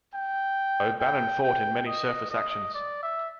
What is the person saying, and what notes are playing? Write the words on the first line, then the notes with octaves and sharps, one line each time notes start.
"O'Bannon" fought in many surface actions.
G5
G5
G5
D#5
D#5
D5
E5